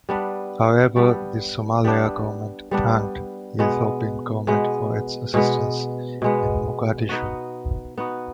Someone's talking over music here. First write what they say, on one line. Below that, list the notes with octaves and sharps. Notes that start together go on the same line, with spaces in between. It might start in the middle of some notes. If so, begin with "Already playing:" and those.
However the Somalia government thanked the Ethiopian government for its assistance in Mogadishu.
G3 B3 D4
G3 B3 D4
G3 B3 D4
G3 B3 D4
B2 G#3 B3
B2 G#3 B3
B2 G#3 B3
B2 G#3 B3
B3 D#4 F#4
B3 D#4 F#4